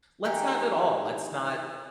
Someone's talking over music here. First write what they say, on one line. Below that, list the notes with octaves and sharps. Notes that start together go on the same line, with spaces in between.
Let's have it all. Let's not
E3 D#4 G4 A#4